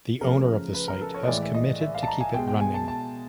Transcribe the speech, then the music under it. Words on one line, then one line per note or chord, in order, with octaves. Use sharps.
The owner of the site has committed to keep it running.
C#3 F3 A3 A#4
B4
A#4
A4
C#5
D#5
A2 E3 G#3 D5
E5
D#5
E5
F5
A5
A#5
G#5
B2 G#3 G5
G5
G#5
A5
A5